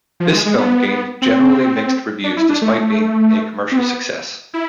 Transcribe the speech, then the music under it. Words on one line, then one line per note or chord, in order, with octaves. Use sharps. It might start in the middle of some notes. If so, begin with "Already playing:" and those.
This film gained generally mixed reviews despite being a commercial success.
F3
G#3
G#3
B3
C4
D4
E4
D4
A3
C4
B3
E4